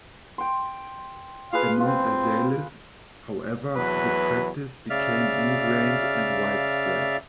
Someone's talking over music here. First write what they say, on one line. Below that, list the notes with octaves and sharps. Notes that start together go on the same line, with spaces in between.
Among Azalis, however, the practice became ingrained and widespread.
G5 C6
F4 G#4 B4 F5
C4 F4
E2 F#3 B4
C#3 D5 E5 F5 F6